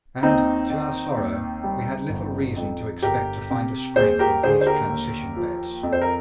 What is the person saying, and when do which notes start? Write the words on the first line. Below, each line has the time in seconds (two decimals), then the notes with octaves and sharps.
And, to our sorrow, we had little reason to expect to find a spring in these transition beds.
0.22 D#2 C4 D#4
0.70 D#3
1.16 D#2
1.64 G3
2.09 G1
2.56 F2
3.02 G1 G4 A#4
3.50 C3
3.96 D#2 G#4 C5
4.19 G4 A#4
4.43 D3 G#4 C5
4.61 C5
4.66 G4 A#4
4.90 D#2
5.36 F3
5.83 F2
5.93 C5
6.02 A#4